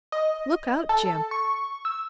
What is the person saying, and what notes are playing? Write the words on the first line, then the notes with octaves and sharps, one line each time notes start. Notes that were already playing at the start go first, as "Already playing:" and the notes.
'Look out, Jim!
D#5
A4
C#6
E6